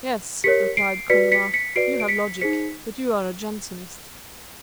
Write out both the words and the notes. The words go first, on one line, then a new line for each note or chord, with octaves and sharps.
"Yes," replied Conrart, "you have logic, but you are a Jansenist."
G4 A#4 C#5 B6 C#7
C7 D7
F#4 B4 D5 B6 C#7
B6 C#7
B6 C#7
F#4 B4 D5 C7 D7
D7
B6 C#7
D#4 G#4 C5 B6 C#7